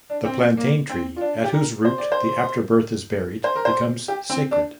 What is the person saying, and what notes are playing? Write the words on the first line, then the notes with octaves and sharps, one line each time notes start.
The plantain tree at whose root the afterbirth is buried becomes sacred.
D4
C4
A#3
C4
F4
D4
G4
A#4
C5
D5
C5
C5
A#4
C5
G4
C4
D4